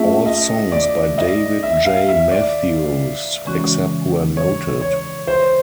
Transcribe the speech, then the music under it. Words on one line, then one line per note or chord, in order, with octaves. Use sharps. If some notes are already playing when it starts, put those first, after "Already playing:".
All songs by David J. Matthews, except where noted.
Already playing: A3 C#4 F4 G#4 E5
D#5
D5
D#5
E5
F5
E5
D5
C#3 E3 G#3 C#4 F#4
C#5
C#5
C5